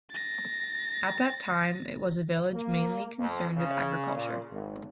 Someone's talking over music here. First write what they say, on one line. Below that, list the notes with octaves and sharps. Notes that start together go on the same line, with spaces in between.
At that time, it was a village mainly concerned with agriculture.
A6 A#6
A#3
F2
C#3
A#2
G#1